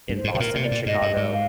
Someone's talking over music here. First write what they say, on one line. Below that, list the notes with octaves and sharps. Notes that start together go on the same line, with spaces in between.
in Boston and Chicago,
G2
C5
G#2
C3 C5
A#2 A#4
C3
D5
A#2
G#2 D#5
G2
G#2
F5